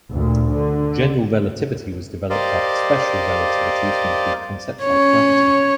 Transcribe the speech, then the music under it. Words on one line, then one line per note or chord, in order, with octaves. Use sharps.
General relativity was developed after special relativity to include concepts like gravity.
D2 A#2
D3
G4 A#4 C5 D5 D#5 F5
C#4 C#5